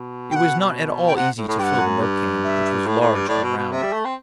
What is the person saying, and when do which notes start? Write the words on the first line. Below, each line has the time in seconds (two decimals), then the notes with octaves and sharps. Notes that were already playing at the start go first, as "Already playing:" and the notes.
It was not at all easy to fill the milk-can, which was large and round.
Already playing: B2
0.31 G5
0.36 F#5
1.06 G5
1.16 C3 F#5
1.38 A2
1.48 A2
1.59 G2 F#5 G5
1.80 F#2
2.01 G2
2.44 E5
2.86 A2
3.00 A2
3.15 G2
3.29 A2 D5
3.43 B2
3.58 B2
3.72 C3 E5
3.82 G3
3.93 A3
4.05 C4